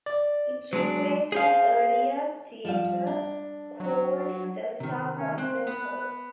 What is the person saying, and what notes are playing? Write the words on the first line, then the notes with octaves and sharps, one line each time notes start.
It replaced an earlier theatre called the Star Concert Hall.
D5
F#3 G#3 D4
G#4 C5 F5
F3 G3 F5
D4
F#3
C3 D#3
C#4
C4 C5 G5 F#6
B3